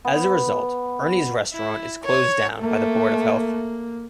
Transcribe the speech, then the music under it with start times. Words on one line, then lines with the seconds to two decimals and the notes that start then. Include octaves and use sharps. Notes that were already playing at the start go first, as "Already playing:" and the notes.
As a result, Ernie's restaurant is closed down by the Board of Health.
0.05 B3
1.53 E4
2.05 C#5
2.61 A3 A#3